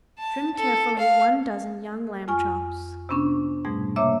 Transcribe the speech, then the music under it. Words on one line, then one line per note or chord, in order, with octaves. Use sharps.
Trim carefully one dozen young lamb chops.
A5
A4
F5
F2 F4 G#5 C#6 F6
C3 B3 C#4 D4 C#6
G#2 B2 G3 A3 G#6
C3 A#3 C#5 E5 D6 E6